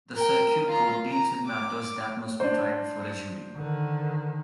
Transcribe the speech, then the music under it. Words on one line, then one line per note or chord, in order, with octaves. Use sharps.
The Circuit Court deals with matters that must be tried before a jury.
A#4 G5
F4 A#5
A#5
D6
D4 C5
D3 D#3